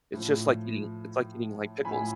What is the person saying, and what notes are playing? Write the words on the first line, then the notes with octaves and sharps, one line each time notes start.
It's just like eating, it's, like, eating, like, pickles.
A2 F3
A2 F3 G#5 B5